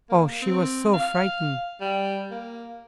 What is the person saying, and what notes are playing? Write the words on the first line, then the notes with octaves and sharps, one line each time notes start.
Oh, she was so frightened!
A#3
C4
F5
G3
A#3